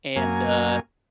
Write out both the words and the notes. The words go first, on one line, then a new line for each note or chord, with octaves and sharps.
and, uh,
F#2 A#3 G#5